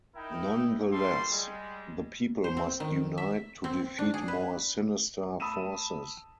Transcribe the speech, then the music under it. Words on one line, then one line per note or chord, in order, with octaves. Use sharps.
Nonetheless, the people must unite to defeat more sinister forces.
D#4 E4 A#4 E5 G5
G3 A3 A#3 F4 A4 C6
G3 G#3
C5
C4
D#3
E5
C4
D4
G#4
B4
A5 B5 D#6 E6 D#7 E7